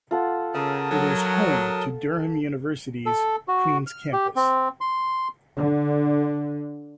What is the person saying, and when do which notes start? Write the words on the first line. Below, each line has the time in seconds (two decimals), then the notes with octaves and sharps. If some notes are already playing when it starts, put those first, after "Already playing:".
It is home to Durham University's Queen's Campus.
0.11 F4 A4 F#5
0.54 C#3 A#4 A5 D#6 E6
0.91 F#3 A4
3.06 A4
3.48 F#4
3.87 F6
4.13 G4
4.36 C4
4.81 C6
5.56 D3